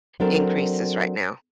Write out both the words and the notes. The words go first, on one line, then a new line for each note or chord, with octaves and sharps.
increases right now.
F#3 C4 D4 A4 A#4